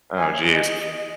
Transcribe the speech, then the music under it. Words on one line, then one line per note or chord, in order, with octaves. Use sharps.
Oh, jeez.
G#5
D#5